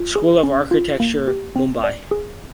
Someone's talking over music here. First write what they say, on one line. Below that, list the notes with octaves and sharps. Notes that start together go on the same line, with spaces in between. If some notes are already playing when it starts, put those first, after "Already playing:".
School of Architecture, Mumbai.
Already playing: F4
G#4
C#4
F4
A#3
G4
C4
D5
G#4